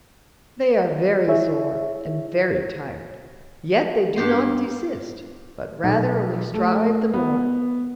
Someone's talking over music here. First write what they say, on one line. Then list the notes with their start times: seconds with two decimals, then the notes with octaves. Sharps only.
They are very sore and very tired; yet they do not desist, but rather only strive the more.
1.27 E4 G#4 C#5 E5
4.16 G2 B3 G4 C6
5.83 B1
6.54 A3
7.14 B3